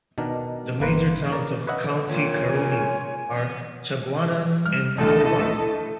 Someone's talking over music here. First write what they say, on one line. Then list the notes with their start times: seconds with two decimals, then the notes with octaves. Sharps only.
The major towns of County Caroni are Chaguanas and Couva.
0.18 B2 D#3 D4 A#4
0.80 G1 A#3 B4 C5
1.32 A#4 D5
1.67 B4 C#5 D#5 E5 F#5
2.08 D#2 A#2 C#5
2.47 G#5
3.36 B3
4.66 G3 F6
4.98 A1 D2 D3 E4 A4 D#5
5.39 A3